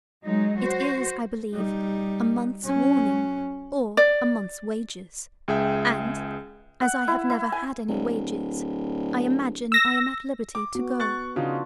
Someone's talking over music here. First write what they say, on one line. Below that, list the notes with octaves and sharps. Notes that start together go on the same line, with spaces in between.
It is, I believe, a month's warning or a month's wages; and, as I have never had any wages, I imagine I am at liberty to go.
F#3 G#3 D#4
F#4 C5
G3 D#4
F#3 C#4
D5
C#2 G#4 E5 G5
F#5
E4
E4
G#5
D1
E6 A#6
D6
B3 F#4
C#6 F#6 A6
C#3 D4 D#4 F4 F#4